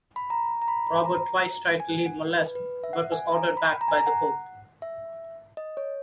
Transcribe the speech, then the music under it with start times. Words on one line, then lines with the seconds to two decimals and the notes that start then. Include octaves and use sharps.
Robert twice tried to leave Molesme but was ordered back by the Pope.
0.16 B5
0.30 A#5
0.62 A#5
0.68 B5
0.87 B5
1.06 A#5
1.80 G#5
2.06 F#5
2.30 B4
2.55 B4
2.84 E5
2.93 F#5
3.12 G#5
3.32 A#5
3.57 B5
3.81 A#5
3.88 G#5
3.96 A#5
4.07 F#5
4.82 E5
5.57 D#5
5.77 C#5